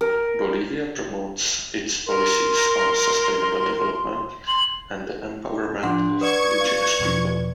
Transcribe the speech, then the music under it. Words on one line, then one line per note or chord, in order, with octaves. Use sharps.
Bolivia promotes its policies on sustainable development and the empowerment of indigenous people.
A#4
A#4 C6
C6 F#7
A2 F3 D4 F#5 C6 D6
B4 D5 C#6 D#6 G#6
C4 F5
E2 B2 F3